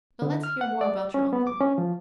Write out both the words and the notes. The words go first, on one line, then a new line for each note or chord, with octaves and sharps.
"Now let's hear more about your uncle."
D3
F6
F#5
D5
C#4
B3
D6
C#4
F3